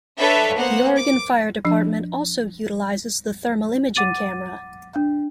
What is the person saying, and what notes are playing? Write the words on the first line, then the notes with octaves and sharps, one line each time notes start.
The Oregon Fire Department also utilizes the Thermal Imaging Camera.
D4 A4 B4 C#5 E5
A#3 B3 C5 F#5
D6
F3 D4
F#5 D6 A6 D#7
D4